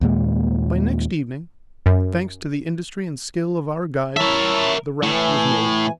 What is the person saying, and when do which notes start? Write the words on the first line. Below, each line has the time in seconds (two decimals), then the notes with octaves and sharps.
By next evening, thanks to the industry and skill of our guide, the raft was made.
0.01 D#2 A#2 G#3
1.86 F#2
4.17 E4 A#4 C#5 E5 A5
5.03 A2 E3 G#5